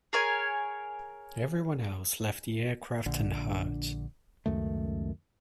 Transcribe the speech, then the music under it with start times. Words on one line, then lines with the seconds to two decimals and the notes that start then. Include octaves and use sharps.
Everyone else left the aircraft unhurt.
0.13 G#4 A#4 C#5 G#5
3.06 A#1 D3
4.46 C#2 F#2 D#3 A3